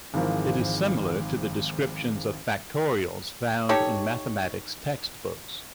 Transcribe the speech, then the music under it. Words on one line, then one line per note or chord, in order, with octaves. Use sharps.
It is similar to the descriptions of factorials found in mathematics textbooks.
G#1 G#2 E3 F3 A#4
D#4 G4 A4 C#5